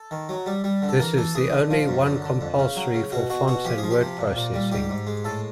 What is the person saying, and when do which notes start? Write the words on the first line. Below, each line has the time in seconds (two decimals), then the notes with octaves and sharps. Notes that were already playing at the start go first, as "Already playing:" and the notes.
This is the only one compulsory for fonts and word-processing.
Already playing: A4
0.11 D#3
0.29 F#3
0.46 G3
0.64 G3
0.82 D3
0.89 A4
1.00 E3 A#4
1.17 E3 A4
1.35 E3 G#4
1.52 D3
1.71 F3
1.88 F#2
2.06 D3
2.24 D3
2.41 F2
2.59 C#3
2.76 F#3
2.94 C#3
3.12 B2 F#4
3.30 B2 F#4
3.48 B2 F#4
3.65 F3 G4
3.78 G#4
3.83 F3
3.91 G4
4.01 C3
4.18 A#2
4.36 A#2
4.54 G3
4.72 G#2 G4
4.89 G#2
5.07 G#3
5.25 A2 A4